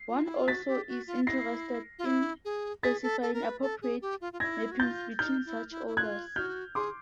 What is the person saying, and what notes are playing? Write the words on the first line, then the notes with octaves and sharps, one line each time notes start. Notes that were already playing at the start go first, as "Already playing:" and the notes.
One also is interested in specifying appropriate mappings between such orders.
Already playing: C7
F4
E4
F4
F#4 A6 B6
G4
F#4
F4
E4 A#6 C7
F4
E4
G#4
G#4 A6 B6
A4
A4
A#4
B4
A4
G#4
G4
F4
F4
E4 G#6 A#6
F#4
F4 G6 A6
D#4 F6 G6
E4
E4
E4
F4 F#6 G#6
F#4 F6 G6
G#4 C6 D6